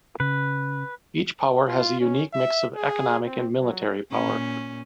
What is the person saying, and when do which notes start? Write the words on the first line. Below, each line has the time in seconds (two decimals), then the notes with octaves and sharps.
Each power has a unique mix of economic and military power.
0.20 C#3 B4
1.68 F4
2.00 C#4
2.33 E5
2.76 G#4
3.26 C4
3.59 F#3
4.10 A#2 C#4